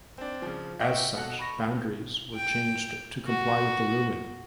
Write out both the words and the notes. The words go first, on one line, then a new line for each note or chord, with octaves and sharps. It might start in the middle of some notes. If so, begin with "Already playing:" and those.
As such, boundaries were changed to comply with the ruling.
C4 D4
C#3 F3
D#5 E5 F#5 G5 C#6 D6
B2 A4 F#5
B5 C#6 A#6
G5
F#4